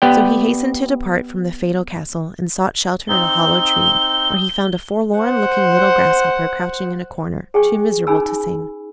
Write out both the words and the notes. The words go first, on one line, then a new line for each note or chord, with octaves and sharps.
So he hastened to depart from the fatal castle, and sought shelter in a hollow tree, where he found a forlorn looking little Grasshopper crouching in a corner, too miserable to sing.
B3 G4 D5 G5
C4 D#4 G7
C5 F#5
G#4 G5 G#5 C#6
C#4 D#4 G#4 G#5 B5 E6